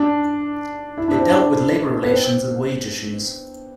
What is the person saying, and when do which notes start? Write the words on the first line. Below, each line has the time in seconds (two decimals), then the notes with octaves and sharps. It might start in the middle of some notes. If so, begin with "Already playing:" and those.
It dealt with labour relations and wage issues.
Already playing: D4
0.98 E4
1.08 D4
1.19 C4
1.29 D4
2.03 B3
2.11 C4